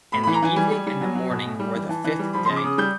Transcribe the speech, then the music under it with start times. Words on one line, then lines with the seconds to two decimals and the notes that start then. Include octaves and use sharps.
And the evening and the morning were the fifth day.
0.12 A2 B5
0.23 E3 B5
0.34 A#5
0.42 E3 G#5
0.56 G3 G#5
0.71 G3
0.86 G3
1.01 F#3
1.15 F#3
1.30 B2
1.45 A2
1.59 G3
1.75 E3
1.89 E3 A5
2.04 E3
2.19 G3
2.33 F3 B5
2.45 C#3 C6
2.57 D6
2.64 C#3 D#6
2.78 G3 G6